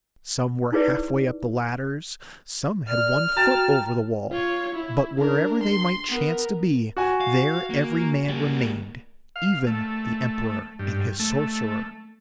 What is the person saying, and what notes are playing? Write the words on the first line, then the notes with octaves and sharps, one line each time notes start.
Some were half way up the ladders, some had one foot over the wall, but wherever they might chance to be there every man remained, even the emperor and his sorcerer.
D#4 E4 G#4 B4 D5
D5 F6
F#4 G5 A5 A#5
F4 C#5
E4
D4 A#4
C6
B3 A#4
F#4 G#5
F5
A#3
G3 A#3
F5
A3
G2
A3